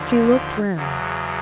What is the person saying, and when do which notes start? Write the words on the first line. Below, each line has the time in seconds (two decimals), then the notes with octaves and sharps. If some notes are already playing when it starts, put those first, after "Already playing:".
She looked round.
Already playing: D#2 D3 F3
0.32 G5
0.75 E2 C#3 F#3